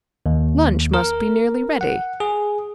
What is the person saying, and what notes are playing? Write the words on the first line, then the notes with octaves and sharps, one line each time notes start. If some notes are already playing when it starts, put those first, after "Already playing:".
Lunch must be nearly ready.
D#2
A#4
F#5
G#4